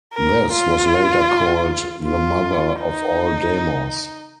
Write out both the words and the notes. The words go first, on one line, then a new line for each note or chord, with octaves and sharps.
This was later called "the Mother of All Demos".
A#4
F4
F4
D#4